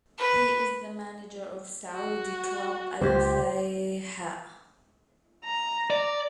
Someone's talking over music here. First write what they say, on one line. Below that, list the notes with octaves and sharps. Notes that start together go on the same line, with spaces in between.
He is the manager of Saudi club Al-Fayha.
B4
F#4
C#2 G4 C5
A#5
D5